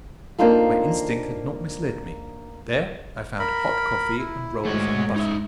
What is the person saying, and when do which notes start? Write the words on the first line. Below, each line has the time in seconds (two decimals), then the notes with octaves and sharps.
My instinct had not misled me: there I found hot coffee, and rolls and butter.
0.38 A#3 C4 D4 D#4 F4 A4
3.39 A#4 B5
4.18 E4
4.65 G#2 A3 F#4 C#5
5.16 D#4 E5